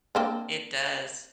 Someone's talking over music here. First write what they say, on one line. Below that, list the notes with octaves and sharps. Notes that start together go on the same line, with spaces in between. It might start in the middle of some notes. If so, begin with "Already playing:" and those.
it does.
A#3 C4 D4